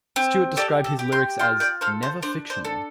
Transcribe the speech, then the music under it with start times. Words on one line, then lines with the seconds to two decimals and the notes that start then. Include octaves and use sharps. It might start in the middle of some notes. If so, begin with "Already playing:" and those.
Stewart described his lyrics as "never fictional".
0.16 C4
0.57 G4 A4 D5
0.84 A4
0.99 G4
1.12 G5 C6
1.39 F4 G5 C6
1.60 D5 G5
1.81 A4 C5 F5
2.03 C5
2.22 D4 C5
2.50 C5
2.65 A4